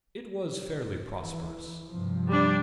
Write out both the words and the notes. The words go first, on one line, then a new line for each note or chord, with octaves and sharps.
It was fairly prosperous.
E3
G2 C3 F3
G3 D4